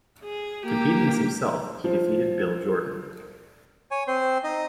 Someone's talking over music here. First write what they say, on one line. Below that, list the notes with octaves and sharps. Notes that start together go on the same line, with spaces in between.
Competing as himself, he defeated Bill Jordan.
G#4
A#3 G4
F3
C#5 G#5
C4 C5
D#4 D#5